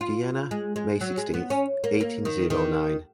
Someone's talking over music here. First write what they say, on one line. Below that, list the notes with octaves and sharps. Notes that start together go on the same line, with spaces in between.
Vienna, May sixteenth eighteen zero nine.
F4
G#3
G#3
F#3
G#3
B3
C#4
A#3
A#3
D#3
D#3